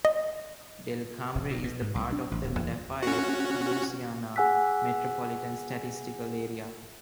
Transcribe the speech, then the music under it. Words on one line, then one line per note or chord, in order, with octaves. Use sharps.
Delcambre is the part of the Lafayette, Louisiana Metropolitan Statistical Area.
D#5
E1
B2
B2
G#2
C2
D4
A1
D1
E2
C#4 F#4
G#4 F#5 G#5 E6 F#6 B6